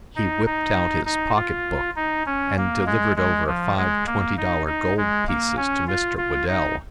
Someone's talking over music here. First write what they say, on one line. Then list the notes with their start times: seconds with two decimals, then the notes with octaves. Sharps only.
He whipped out his pocket book, and delivered over five twenty-dollar gold pieces to Mr. Whedell.
0.16 D#4
0.46 D#4
1.05 D#4
1.36 F4
1.96 D#4
2.26 C#4
2.57 A#3
2.86 G#3
3.16 G#3
3.47 F3
3.77 G#3
4.07 A#3
4.37 D#4
4.66 D#4
4.97 G#3
5.27 A#3
5.57 C#4
5.87 F4
6.17 F4
6.48 D#4